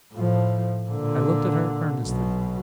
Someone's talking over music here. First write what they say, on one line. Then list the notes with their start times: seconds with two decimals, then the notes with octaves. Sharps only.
I looked at her earnestly.
0.13 A2 F3
0.89 A#2 D3
2.03 B1 B2